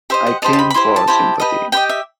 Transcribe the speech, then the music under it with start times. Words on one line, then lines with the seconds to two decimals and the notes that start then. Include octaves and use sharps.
I came for sympathy.
0.10 G4 C5 D#5 E5
0.27 F#5
0.42 G4 C5 D#5 A5
0.53 A5
0.59 B5
0.70 B5
0.74 E4 G4 C5 C6
0.96 A5
1.08 E4 G4 C5
1.40 G4 B4 D#5
1.72 G4 B4 D#5 G5
1.89 E5